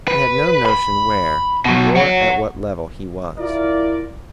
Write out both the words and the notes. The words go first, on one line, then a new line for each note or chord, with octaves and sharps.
He had no notion where or at what level he was.
B4
B5
B2 F#3
C#5 F#5
E4 F4 A#4 D5